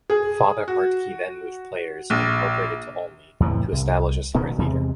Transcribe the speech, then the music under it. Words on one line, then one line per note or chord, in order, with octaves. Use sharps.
Father Hartke then moved Players, Incorporated to Olney to establish a summer theater.
G#4
F#4
A#1
E2 A2 C3 E3
C2
D#1 B2 D#3 B3
E2 C3 G#3